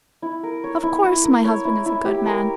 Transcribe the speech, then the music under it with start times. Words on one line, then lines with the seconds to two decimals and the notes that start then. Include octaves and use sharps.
Of course, my husband is a good man.
0.22 E4
0.43 A#4
0.64 C#5
0.83 E4
1.04 E4
1.24 A#4
1.45 C#5
1.65 E4
1.86 E4
2.05 G4
2.26 A#4